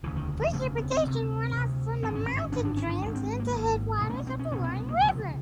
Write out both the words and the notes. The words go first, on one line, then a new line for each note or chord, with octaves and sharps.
Precipitation runoff from the mountain drains into headwaters of the Roaring River.
E1 D2 C#3 E3
D#3
F3
E1 D2 C#3 A3
B3
C4
D2 C3
D2 C3
G#1 G2 D3 C4
C#4
C#4
C#4
G#1 G2 D3 D4
D4
C#4
D4
G#1 G#2 D4
C4
A#3
G#1 G#2
C2 B2 A3
D4
C#4
C4
C#4
C2 B2 C#4
C4
B3
A#3
C#2 C3 F3